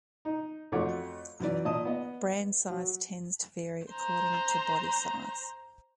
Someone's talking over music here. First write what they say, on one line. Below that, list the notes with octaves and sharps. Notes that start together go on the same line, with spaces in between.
Brain size tends to vary according to body size.
D#4
F2 A3 F4 F#4 C#5 D6
F#2 E3 D5
A#2 D#5 A5 D#6
B3 D#5
F#3
C5 A#5